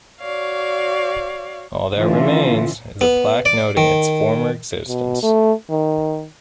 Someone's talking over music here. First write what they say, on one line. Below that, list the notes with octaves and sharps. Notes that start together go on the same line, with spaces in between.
All that remains is a plaque noting its former existence.
F#4 C#5 D5 F5
D3 E3 A3 C#4 F4 E5
B3
D5
D#3
B2
A3
D#3